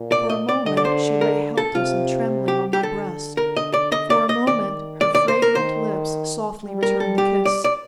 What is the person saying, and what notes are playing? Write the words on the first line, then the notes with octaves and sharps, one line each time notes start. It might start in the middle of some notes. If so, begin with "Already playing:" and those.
For a moment she lay helpless and trembling on my breast; for a moment her fragrant lips softly returned the kiss.
Already playing: A#2
D5
D#5
D5
D3 D#5
D5
C5
A#4
A4
C3 F4
G4
G4
D3 A4
A#4
D#5
D5
D#5
D5
D#5
D#3 D5
D5
D5
C5
A#4
D#3 C5
G3
A#4
A4
G4
D5
D5